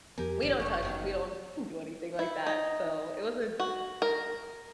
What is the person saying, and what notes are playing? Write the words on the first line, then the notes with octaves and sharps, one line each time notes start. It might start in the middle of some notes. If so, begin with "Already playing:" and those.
we don't touch. We don't do anything like that, so, it was a
F2 F3 B3 G4 A#4 G#5
A1 G2 D#3 G3
F#1 A3 C#4
F#1 E2 D#3 F#3
E4
D#4
F#4
A#4